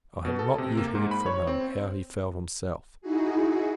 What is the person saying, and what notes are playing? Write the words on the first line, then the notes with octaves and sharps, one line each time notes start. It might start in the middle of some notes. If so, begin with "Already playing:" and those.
I have not yet heard from him, how he felt himself.
B2
A4
C3
A#3
G#2
B5
C#5
C4
D#4 E4 F#4 G#4